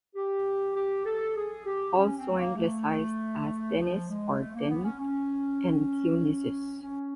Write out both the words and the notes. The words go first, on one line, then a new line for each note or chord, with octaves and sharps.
Also anglicised as Dennis or Denis and Dionysius.
G4
G4
A4
G#4
G4
C#4
C4
A3
A#3
A3
F3
G#3
A3
A#3
B3
C#4
C#4
C#4